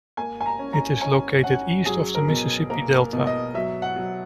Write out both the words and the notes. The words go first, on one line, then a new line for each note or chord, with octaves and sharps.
It is located east of the Mississippi Delta.
A#3 G#5
G#5
A#5
C#4
A#5
C#4 G#5
C#4 F#5
F#3 G#4
A#4
B2
A#3 A#4
B2
D#5
F#3 E5
F#5
F#3